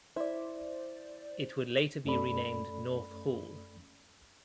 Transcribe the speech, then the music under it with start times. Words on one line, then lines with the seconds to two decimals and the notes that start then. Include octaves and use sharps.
It would later be renamed North Hall.
0.16 E4 C5 D5
2.04 F#2 A3 C#4 A4 D5 B5